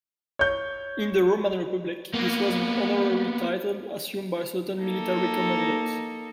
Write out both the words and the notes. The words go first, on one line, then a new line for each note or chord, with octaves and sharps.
In the Roman Republic, this was an honorary title assumed by certain military commanders.
C#5 G6
A#3 B3
A#3 D#4 A4